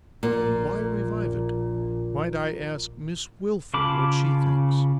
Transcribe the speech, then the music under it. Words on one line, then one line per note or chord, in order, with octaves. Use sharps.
Why revive it? Might I ask Miss Wilfer what she thinks?'
A#1 A#2
C#3 F4 A5 B5 D6